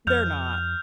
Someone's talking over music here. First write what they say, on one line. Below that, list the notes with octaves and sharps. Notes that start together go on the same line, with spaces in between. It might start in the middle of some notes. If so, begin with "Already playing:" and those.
They're not.
F2 F6 G6 F7